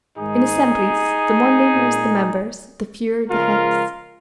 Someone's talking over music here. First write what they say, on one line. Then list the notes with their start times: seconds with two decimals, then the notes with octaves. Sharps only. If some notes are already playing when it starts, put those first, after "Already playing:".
In assemblies, the more numerous the members, the fewer the heads.
0.18 G#2 D#3 G#3 D#4 G#4
1.74 A#2 G#3
3.30 C#3 F3 G#3 F4 A#4